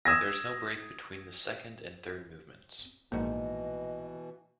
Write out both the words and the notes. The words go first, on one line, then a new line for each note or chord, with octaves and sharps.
There is no break between the second and third movements.
D#6 E6 G#6 A#6
A#1 G#2 B2 E3 A#3 F#4 D#5